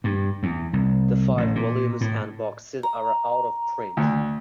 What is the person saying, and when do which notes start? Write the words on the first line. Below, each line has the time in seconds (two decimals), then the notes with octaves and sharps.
The five volumes and box set are out-of-print.
0.04 G2
0.43 E2
0.73 C2
1.37 A1
1.55 A#2
2.01 A2
2.83 A#5
3.97 D2